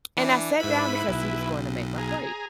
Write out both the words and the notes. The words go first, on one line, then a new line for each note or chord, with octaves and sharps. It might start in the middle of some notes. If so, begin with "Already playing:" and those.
and I sat down because he was going to make my plate,
E3 D4
G#2 E4 B4 B5
B1
G#4 A#5